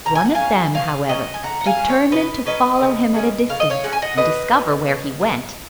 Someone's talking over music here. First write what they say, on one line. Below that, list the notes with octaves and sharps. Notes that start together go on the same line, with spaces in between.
One of them, however, determined to follow him at a distance, and discover where he went.
B2 A#5
G#5
F#5
F5 G#5
F#3 C#4
B2 F5 G#5
F#3 C#4 D#5 F#5
G#5
C#3 F#5 A#5
F#5
F5 G#5
F#3 C#4
C#5 F5
C#3 B4 D#5
F#3 C#4 B4 D#5
C#3
G#3 C#4
C#3 F5
D#5
C#5 F5
G#3 C#4 F#5
G#5
D#5 F#5
B2 B4 D#5
F#3 B3
B2
F#3 B3